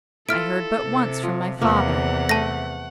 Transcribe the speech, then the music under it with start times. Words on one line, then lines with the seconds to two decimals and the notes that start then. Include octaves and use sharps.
I heard but once from my father.
0.29 E4 F4 A4 F6 D7
0.81 C3
1.23 F3
1.61 E2 C3 F3 A#3 F#5
2.29 A3 A5 A#6